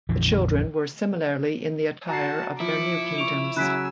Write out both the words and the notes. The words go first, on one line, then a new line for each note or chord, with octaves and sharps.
The children were similarly in the attire of their new kingdoms.
A#1 F2 D3 E3
F#4 A5 A#5 C7
F3 E4 D6 C#7
C#6 D7 F7
C#3 F#3 G#5 E6 F#6 B6 D7